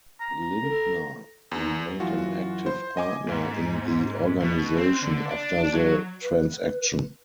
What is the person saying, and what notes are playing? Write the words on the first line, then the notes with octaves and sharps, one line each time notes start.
Lindner remained an active partner in the organization after the transaction.
A#5
A4
E2
F#2 E3 F4 F#4
C5 C6
D#5 G#5 D6
G#2
B2
C4
D3
D4
F#3
B4